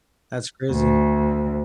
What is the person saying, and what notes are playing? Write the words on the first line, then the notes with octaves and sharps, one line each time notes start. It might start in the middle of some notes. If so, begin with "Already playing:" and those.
That's crazy.
D2